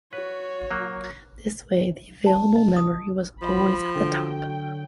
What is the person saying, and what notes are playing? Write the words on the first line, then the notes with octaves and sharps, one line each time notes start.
This way the available memory was always at the "top".
F#4 B4 C#5
F#3 A#3
A5
D#5
D#6
F3 B5
D3 F#3 G5